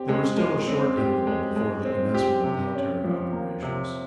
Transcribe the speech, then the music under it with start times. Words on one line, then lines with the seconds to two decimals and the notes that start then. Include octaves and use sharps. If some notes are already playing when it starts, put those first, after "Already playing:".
There was still a short interval before the commencement of military operations.
Already playing: C4 G4
0.09 G#3
0.37 G#3
0.67 C4
0.97 G4
1.27 G#3
1.56 G#3
1.85 C4
2.14 G4
2.44 C3
2.75 C#4
3.04 F3
3.33 A#3
3.62 C3